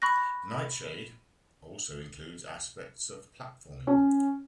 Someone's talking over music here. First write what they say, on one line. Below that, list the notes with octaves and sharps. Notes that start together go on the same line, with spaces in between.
"Nightshade" also includes aspects of platforming.
B5 C#6 F#6 A#6
C#4